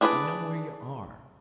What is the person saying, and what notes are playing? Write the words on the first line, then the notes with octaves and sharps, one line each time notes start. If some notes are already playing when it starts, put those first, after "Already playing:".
You know where you are.
D4 G#4 B4 C#5 D5